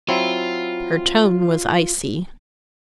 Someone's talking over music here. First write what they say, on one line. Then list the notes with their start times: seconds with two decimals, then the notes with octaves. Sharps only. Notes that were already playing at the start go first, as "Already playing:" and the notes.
Her tone was icy.
0.08 F#3 C4 E4 F4